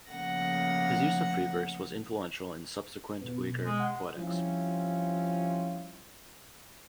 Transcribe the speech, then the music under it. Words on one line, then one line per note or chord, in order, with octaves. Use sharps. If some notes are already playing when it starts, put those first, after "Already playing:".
His use of free verse was influential in subsequent Uyghur poetics.
C#3 F3 A3 A#3 F#5 A#6
B2 B3
G#3
F#5
F3 G3 C4 C#4 E4 F4